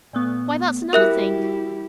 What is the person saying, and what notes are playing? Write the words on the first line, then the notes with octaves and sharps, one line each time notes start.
'Why, that's another thing.
A#2 A3 B3
G3 E4 F#4 G4 A#4 E5 F#6